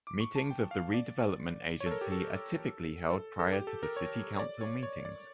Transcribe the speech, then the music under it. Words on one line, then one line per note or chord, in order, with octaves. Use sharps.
Meetings of the Redevelopment Agency are typically held prior to the City Council Meetings.
D6
C#6
A5
G5
F5
D5
C#5
A4
A#4
G4
A4
A4
A4
G4
A4
A#4
C#5
C#5
D5
C#5
C#5
D5